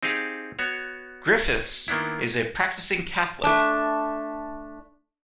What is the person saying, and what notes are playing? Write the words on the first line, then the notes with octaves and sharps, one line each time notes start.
Griffiths is a practising Catholic.
C4 D#4 G4 G#4 F5
B3 F#4 C#5
D#3 A#3 B3 D4 E4
A3 D4